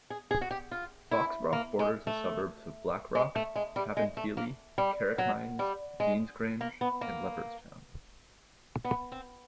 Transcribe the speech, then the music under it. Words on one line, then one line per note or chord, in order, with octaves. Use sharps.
Foxrock borders the suburbs of Blackrock, Cabinteely, Carrickmines, Deansgrange and Leopardstown.
G#4
G#4
F#4
G4
F4
E4
A#3
G#3
A3
G#3
A3
G#3
G3
G#3
A3
A#3
G3
F#3
G3
G#3
A#3
B3
A#3
B3
C4